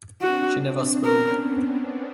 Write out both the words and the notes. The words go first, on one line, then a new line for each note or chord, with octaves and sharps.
She never spoke.
C4 D4 F#4
B3 C#4 A#4